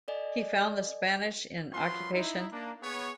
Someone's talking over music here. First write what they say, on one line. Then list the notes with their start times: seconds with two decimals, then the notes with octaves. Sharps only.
He found the Spanish in occupation.
0.08 A4 D5 D#5 G#5
1.72 F#2 F3 F#3 F4 B4 C6
2.12 D#4 E4
2.52 A#3 D4
2.83 B3 G#4 C#5